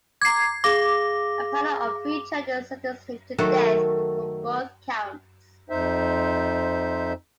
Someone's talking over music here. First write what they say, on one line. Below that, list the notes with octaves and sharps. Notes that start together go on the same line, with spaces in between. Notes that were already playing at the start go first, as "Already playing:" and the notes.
A panel of three judges sentenced him to death for both counts.
A#5 D6 G#6 C7
G#4 F5 D6 A#6
D#3 F#3 A3 F#4 A4
F2 D#4 C5 E5